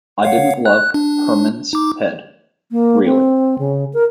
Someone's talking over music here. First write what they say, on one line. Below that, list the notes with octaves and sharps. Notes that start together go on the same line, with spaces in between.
I didn't love "Herman's Head", really.
C#5 F5 F#5
F#6
D4
D#4 D6
A#3
C4
C#3
A#4